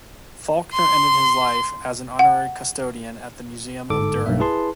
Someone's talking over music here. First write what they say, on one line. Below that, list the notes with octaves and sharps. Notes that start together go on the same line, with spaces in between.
Falkner ended his life as an honorary custodian at the museum of Durham.
C6
F#5
G1 G#2 A4 D6
B1 G2 A#3 E5
E4 G#4 B4 A5 C6